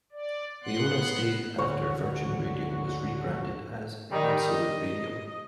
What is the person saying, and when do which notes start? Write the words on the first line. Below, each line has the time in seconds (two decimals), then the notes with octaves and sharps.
Leona stayed after Virgin Radio was re-branded as "Absolute Radio".
0.12 D5
0.63 B3 F#5 C6 F#6
1.58 D2 F#4 C#5
4.09 D#3 G3 D#4
4.45 D#5